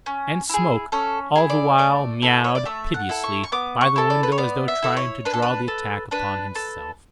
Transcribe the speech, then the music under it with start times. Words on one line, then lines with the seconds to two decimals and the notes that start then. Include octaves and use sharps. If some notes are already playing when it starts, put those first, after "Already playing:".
And Smoke all the while meowed piteously by the window as though trying to draw the attack upon himself.
0.06 C#4
0.49 E4 G#4
0.92 C#4 A4
1.36 E4 G#4
1.50 D5
1.78 A3 D5
2.22 E4 A4
2.44 C#5
2.55 D5
2.65 A3 E5
2.94 F#5
3.09 E4 A4
3.23 C#6
3.44 C#6
3.52 B3 D6
3.81 C#6
3.96 E4 A4
4.10 D5
4.23 B4
4.32 C#5
4.38 B3 D5
4.68 E5
4.82 E4 A4
4.97 C#5
5.25 D4 B4
5.33 A4
5.42 B4
5.68 A4
6.11 D4 B4
6.55 A4